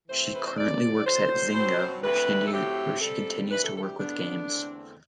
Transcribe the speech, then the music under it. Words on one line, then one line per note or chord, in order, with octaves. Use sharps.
She currently works at Zynga, where she continues to work with games.
C3 E3 A3 C4 C5
B4
C5
E2 C3 F#3 D5
E2 D3 F#3 C5
B2 F#3 C4
D2 D3 A3 C4 B4
A4
A2 F#3 A3 C4 G4
C3 G3 C4 A4
D2 C3 E3 G3 B4
A4
A4
G4
E2 D3 G3 B3 D4
E2 D3 A3 C4